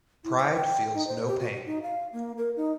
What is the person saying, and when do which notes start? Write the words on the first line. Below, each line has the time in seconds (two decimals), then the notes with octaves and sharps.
Pride feels no pain.
0.24 E4
0.38 C5
0.54 G5
0.94 D#4
1.07 C5
1.27 G4
1.40 F#4
1.66 D#4
1.83 F5
2.13 A#3
2.37 A#4
2.57 D#4